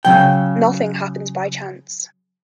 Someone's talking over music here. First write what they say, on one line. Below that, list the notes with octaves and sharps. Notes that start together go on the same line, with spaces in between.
Nothing happens by chance.
C#3 F#3 G5